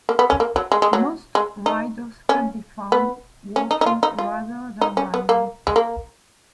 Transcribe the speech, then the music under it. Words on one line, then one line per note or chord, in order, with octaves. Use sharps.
Most riders can be found walking rather than riding.
A#3
B3
C#4
A#3
F#3
G#3
G#3
F#3
G#3
D#4
C#4
B3
C#4
D#4
D#4
F4
D#4
F4
D#4
C#4
B3
A#3
G#3
A#3